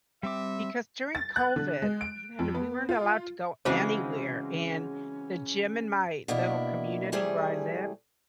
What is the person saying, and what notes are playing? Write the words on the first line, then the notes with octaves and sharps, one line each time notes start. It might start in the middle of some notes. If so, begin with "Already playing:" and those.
because during COVID, you know, we weren't allowed to go anywhere, and the gym in my little community where I lived,
G3 C4 E5 D6
A6
F#6
D3
G#3
D7
F2
B3
F4
C#3 E3 G#3 C4 C#4 F#4
B2 A#3 D4 E4
C3 E3 G3 A3 G#4